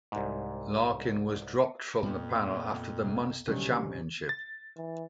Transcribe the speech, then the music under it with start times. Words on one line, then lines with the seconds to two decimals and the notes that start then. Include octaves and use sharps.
Larkin was dropped from the panel after the Munster Championship.
0.12 C2 G#2
2.03 F2 A#2 B3
3.04 C2
3.48 D#1 C2 D3 D#3 F#3 G3 C#4
4.29 A6
4.77 E3